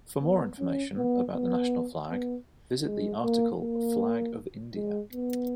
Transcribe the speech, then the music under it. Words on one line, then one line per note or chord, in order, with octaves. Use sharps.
For more information about the national flag, visit the article Flag of India.
B3
C#4
B3
B3
B3
G#3
A#3
A#3
G#3
B3